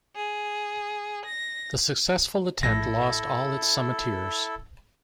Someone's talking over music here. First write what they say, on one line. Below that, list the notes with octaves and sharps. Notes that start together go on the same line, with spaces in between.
The successful attempt lost all its summitteers.
G#4
A#6
A#1 A2 E4 A4 A#6